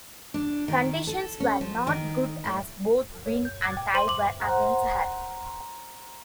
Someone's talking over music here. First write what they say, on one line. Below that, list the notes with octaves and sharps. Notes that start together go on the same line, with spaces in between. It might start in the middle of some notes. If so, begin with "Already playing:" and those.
Conditions were not good as both wind and tide were against her.
D4
D#3
A4
C#4
F3
D#3
A2
A#4 C#5
G6
D6 G#6 A6
G5
C5 C6 D#7 F#7
E5 D6 F#7
A#4 C5 F#5 A#5